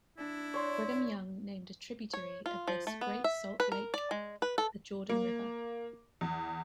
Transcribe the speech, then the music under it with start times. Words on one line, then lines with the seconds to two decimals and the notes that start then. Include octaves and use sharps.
Brigham Young named a tributary of the Great Salt Lake the "Jordan River".
0.18 D4 E4
0.54 C#5 D5 C6
2.13 C#5
2.46 F4
2.68 F3
2.87 A3
3.01 B3
3.24 E5
3.60 B4
3.72 A#4
3.94 D5
4.11 G#3
4.42 B4
4.58 A4
5.09 A#3
6.21 E2